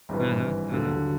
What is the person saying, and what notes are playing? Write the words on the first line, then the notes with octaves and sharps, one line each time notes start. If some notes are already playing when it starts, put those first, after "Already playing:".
Mhm, mhm.
G#1 G2 E3
D#2 D3 F#3